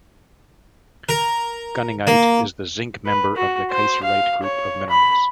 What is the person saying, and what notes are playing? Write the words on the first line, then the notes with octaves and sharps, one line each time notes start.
Gunningite is the zinc member of the kieserite group of minerals.
A#4
A#3
B4
F#4
C5
F5
C#5
B5